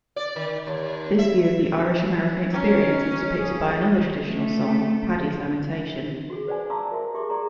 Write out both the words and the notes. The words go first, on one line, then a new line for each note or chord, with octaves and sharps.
This view of the Irish-American experience is depicted by another traditional song, Paddy's Lamentation.
D5
D#3
D#2
E5
B2 C#4 C#5 A#5
G2 G#4
A3
F#4 G#4
B4 C5 D5 F#5 G#5
F5 A5 A#5 C6 D6 E6
F#4 A#4 C5 E5
G4 G#4 E5 C6 D6
G4 G#4 D5 A#5 C6